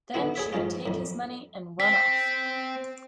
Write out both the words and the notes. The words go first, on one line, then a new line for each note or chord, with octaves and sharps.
Then she would take his money and run off.
D3 B3 E4 F#4
G#4 C#5 E5
G#2 F3 G#3 C#4 F4
F2 A2
C4 B6